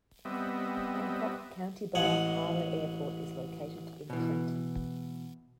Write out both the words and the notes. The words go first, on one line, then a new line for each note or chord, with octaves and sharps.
Hancock County-Bar Harbor Airport is located in Trenton.
G3 B3 C4 D#5 E5
A1 G#3 F#5
B2 E3